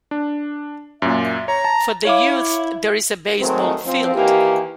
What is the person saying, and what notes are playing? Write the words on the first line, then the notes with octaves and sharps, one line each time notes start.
For the youth, there is a baseball field.
D4
F#2 A#2 E5
C#5 A#5
A5
E4 C#5 F5 D6
D#3 F#3 G#3 A3 C4
F3 C4
D#2 E3 A#3 G4